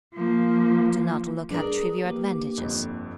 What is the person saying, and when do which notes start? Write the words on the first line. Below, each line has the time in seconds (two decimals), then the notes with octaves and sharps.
Do not look at trivial advantages.
0.13 F3 A#3
1.50 D4 G#4 A#4 B4 D5
2.04 A#3 G4 B4
2.58 G1 F2 D3